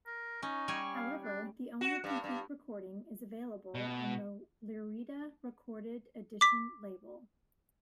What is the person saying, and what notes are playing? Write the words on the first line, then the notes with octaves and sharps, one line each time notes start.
However, the only complete recording is available on the Lyrita Recorded Edition label.
A#4
C#4 D#4
G3 C#5 G#5
F5
D4
F#4
G2
G2
B2
D6 B6